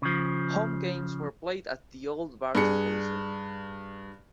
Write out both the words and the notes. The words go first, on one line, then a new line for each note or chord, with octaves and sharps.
Home games were played at the old Barton Coliseum.
C#3 F3
G2 G#4 C#7